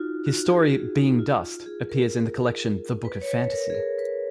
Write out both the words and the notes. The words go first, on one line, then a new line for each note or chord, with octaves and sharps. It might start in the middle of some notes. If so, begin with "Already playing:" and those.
His story "Being Dust" appears in the collection The Book of Fantasy.
Already playing: D#4 F4 F#4
F#4
G#4
F#4
D#4
F4
G#4
A#4
B4
C#5
B4
A#4
G#4
A#4
B4